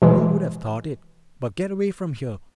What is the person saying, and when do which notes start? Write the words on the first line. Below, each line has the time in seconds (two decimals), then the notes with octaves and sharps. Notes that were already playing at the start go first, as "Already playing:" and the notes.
Who would have thought it? But get away from here!
0.02 B2 E3 G#3